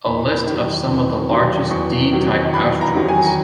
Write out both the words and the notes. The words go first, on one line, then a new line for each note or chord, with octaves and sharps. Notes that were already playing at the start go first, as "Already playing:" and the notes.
A list of some of the largest D-type asteroids.
E2 B5
D#3 F#3
E2
D#3 F#3
E2 C#6
D#3 F#3
E2 B5
A#5
D#3 F#3
G#5
A#5